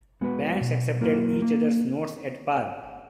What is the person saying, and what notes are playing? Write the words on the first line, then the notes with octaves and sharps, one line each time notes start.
Banks accepted each other's notes at par.
G#3 B3 F#4 B4
B2
F#3 A#3 E4 A#4
A#3